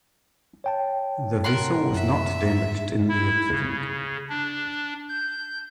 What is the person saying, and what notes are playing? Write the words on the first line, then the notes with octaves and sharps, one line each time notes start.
The vessel was not damaged in the accident.
C#5 G5 A5
A#4 F#5 C6
F#2 E5
E4
C#3
D4
G6